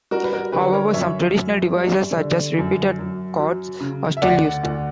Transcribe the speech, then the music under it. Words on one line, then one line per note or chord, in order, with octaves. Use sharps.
However, some traditional devices, such as repeated chords, are still used.
G3 F#4 A#4
B4
F#4 A#4
D3 G4 B4
A#4 C#5
F#2 C#5 E5
F#2
G3
D3
F#2
F#2
F#3
C#3
E5
D2 D5 F#5
D2